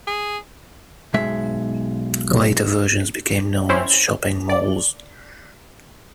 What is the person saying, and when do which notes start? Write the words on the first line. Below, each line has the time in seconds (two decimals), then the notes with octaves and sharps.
Later versions became known as shopping malls.
0.07 G#4
1.14 B1 G#3 E5
3.69 C4 C#4 E4 C5
4.49 D5